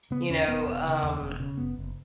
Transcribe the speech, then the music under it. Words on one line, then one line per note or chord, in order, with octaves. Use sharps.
you know, um,
C#3 B3
D#2 C#4
E1 B3
E1
C#3
D#2
E1
C#3
F#1 B3
F#1